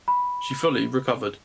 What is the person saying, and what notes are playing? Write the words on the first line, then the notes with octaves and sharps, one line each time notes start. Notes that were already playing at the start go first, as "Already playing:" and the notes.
She fully recovered.
B5